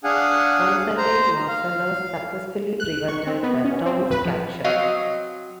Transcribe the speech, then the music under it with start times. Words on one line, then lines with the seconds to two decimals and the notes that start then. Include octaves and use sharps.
Once again, Marcellus successfully prevented the town's capture.
0.04 D4 G#4 F5 F#5 G#5
0.97 C5 A#5
1.48 F5
2.80 F#6
3.08 C#6
3.27 C4
3.43 B3
3.64 C#4
3.85 C4
4.11 B4
4.25 F3
4.64 F#3 C4 D#5 F5